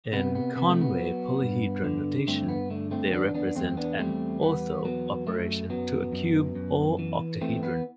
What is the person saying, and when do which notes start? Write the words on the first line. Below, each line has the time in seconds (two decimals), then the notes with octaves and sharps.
In Conway polyhedron notation, they represent an "ortho" operation to a cube or octahedron.
0.13 C3 B3
0.35 B3
0.55 C3 B3
0.69 A3
0.81 B3
0.99 F#3
1.42 G2
1.84 D3
2.27 G2 A3 C4
2.49 B3
2.70 D3 A3
2.91 A3 C4
3.12 E2 B3 D4
3.35 B3 D4
3.55 E2 A3 C4
3.77 B3 D4
3.99 G3 A3 C4
4.42 E2 B3
4.85 F#3 B3
5.27 F#2 A3
5.70 F#3 B3
6.12 F#2
6.55 F#2
6.99 E3
7.41 E3 A3 C4
7.63 B3